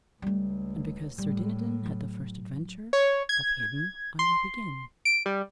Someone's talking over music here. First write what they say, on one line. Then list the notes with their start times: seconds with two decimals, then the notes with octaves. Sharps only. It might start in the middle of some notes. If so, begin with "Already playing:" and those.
And because Sir Dinadan had the first adventure of him I will begin.
0.22 C#2 G3 A3
1.18 A2 G3
1.86 F#3
2.93 C#5
3.29 G#6
4.19 C6
5.05 D7
5.26 G3